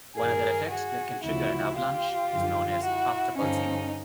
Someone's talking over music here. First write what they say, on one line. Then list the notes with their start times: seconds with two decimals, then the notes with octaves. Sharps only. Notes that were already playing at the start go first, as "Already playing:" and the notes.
One other effect that can trigger an avalanche is known as afterpulsing.
0.16 G2 D#3 G#4 A#4
0.69 F#4 G#4
1.23 D2 C#3 F3 E4 F#4
1.77 F4 G4
2.31 F#2 D3 F3
2.84 E4 F#4
3.37 G2 D3 F3 C#4 D#4